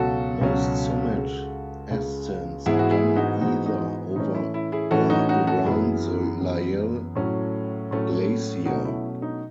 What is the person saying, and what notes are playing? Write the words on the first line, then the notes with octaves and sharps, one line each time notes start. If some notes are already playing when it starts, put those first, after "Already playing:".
Most summit ascents are done either over or around the Lyell Glacier.
Already playing: C#2 B2 F#3 C#4 F#4 A4
C#2 B2 F#3 C#4
C#2 C#3 G#3
C#2 C#3 G#3
G#2 E3 G#3 B3 E4 G#4
F#4
E4 G#4
D#4 F#4
G#2 E3 G#3 B3 D#4 F#4
D#4 F#4
A2 E3 A3 C#4 D#4
E4
E4
E4 G#4
A2 E3 A3 C#4 F#4 A4
D#4 F#4
D#4 F#4
F#4 A4
F#2 E3 B3 E4 G#4
F#2 E3 B3
A2 F#3 A3 C#4
A2 F#3 A3 C#4
B2 F#3 A3 C#4 D#4 F#4
E4
D#4